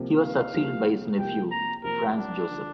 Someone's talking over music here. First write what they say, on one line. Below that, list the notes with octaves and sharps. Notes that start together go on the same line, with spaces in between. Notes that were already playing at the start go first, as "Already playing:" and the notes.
He was succeeded by his nephew, Franz Joseph.
Already playing: C2 C3 F3 A#3 G4
F5
C2 C3 F3 A#3 G4
C2 C3 F3 A#3 G4 G5
A#5
C2 C3 F3 A#3 G4 A#4
D4
D3 F3